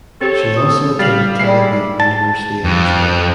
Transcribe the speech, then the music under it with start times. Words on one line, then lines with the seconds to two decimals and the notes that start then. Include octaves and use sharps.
She also attended Tel Aviv University in Israel.
0.21 C4 G4 A4 C#5 A6
0.57 D#6
0.99 G3 F5 A6 F#7
1.39 G3 G#3 E4 C7
2.00 A5
2.64 F2